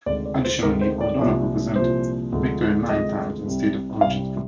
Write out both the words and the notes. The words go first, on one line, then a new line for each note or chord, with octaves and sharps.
Additionally, O'Donnell represented Victoria nine times in state of origin football.
D2 C3 D#3 G#3 D5
D5
C5
D2 C3 D#3 G#3 A#4
C5
D5
C2 A#2 F3
C2 A#2 F3 C5
D2 C3 F3 G#3
D2 C3 F3 G#3 D#5
C2 C3 G3
C2 C3 G3 F5